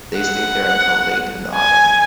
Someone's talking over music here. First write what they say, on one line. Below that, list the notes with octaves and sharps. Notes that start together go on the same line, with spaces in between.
They stayed there until late in the autumn.
F#5
G#5